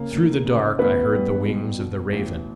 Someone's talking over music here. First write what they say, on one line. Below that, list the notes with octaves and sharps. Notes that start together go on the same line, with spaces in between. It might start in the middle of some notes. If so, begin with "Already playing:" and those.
Through the dark I heard the wings of the raven.
Already playing: C#3 A#3
D2
C#3
A1 B3 B4
G2
B2
B2
A1